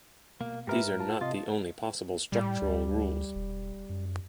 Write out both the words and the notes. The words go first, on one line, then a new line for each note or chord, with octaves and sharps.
These are not the only possible structural rules.
B2 A#3
G#2 G4 A#4 B4 E5
F4 A5
C3 F4 D#5
A2 G3
D2
E1
F#2